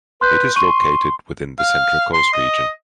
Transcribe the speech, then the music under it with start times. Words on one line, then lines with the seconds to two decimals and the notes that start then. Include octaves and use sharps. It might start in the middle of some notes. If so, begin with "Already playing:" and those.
It is located within the Central Coast region.
0.21 B4 C6 F#6 G6
0.56 C6 C#6 D#7
1.59 F5
2.13 C6
2.33 D#5